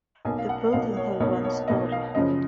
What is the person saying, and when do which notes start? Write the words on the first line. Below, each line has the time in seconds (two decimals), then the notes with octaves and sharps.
The building has one story.
0.25 B1 B2 A#3 G#5
0.38 F5
0.49 F#5
0.72 B1 B2 A#3 F5
0.97 C#5
1.20 B1 B2 A#3 C#5
1.44 C#5
1.68 B1 B2 A#3 D#5
1.92 F5
2.15 F#1 F#2 C#3 F3 D#5